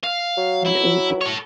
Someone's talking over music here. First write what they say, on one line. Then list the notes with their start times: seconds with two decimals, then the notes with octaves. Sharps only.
And able.
0.04 F5
0.37 F#3
0.66 E4
1.21 A4 C#5